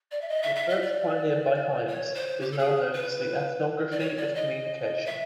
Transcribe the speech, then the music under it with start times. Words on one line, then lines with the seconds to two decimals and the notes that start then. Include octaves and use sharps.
The approach pioneered by Hymes is now known as the ethnography of communication.
0.11 D5
0.21 E5
0.28 D#5
0.42 E5
0.55 E5
0.69 D#5
0.82 D5
1.87 C#5
2.14 C5
2.41 G4
2.52 A4
2.58 G#4
2.94 B4
3.91 D5
3.99 C#5
4.17 D5
4.35 D#5
5.06 E5